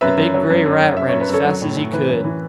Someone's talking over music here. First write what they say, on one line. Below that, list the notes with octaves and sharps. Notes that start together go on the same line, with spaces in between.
The big grey rat ran as fast as he could.
F#2 B4 E5
F#2
F#3
F#2
F#2
F#2
F#2 E5
F#2 C#5
B4
F#2 A4 C#5
F#3
A2
A2
E3 B4
F#2
E3